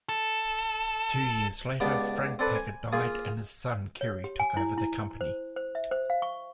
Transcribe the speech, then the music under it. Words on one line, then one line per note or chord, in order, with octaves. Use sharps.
Two years later, Frank Packer died, and his son Kerry took over the company.
A4
C#2 B3 D4 G4 G5 A5
C4 D4 A4 B4
G#5
A#3 F4 G#4
C#5
G4
G#5
E4
E4
C5
C5
E5
C5
F5
C#6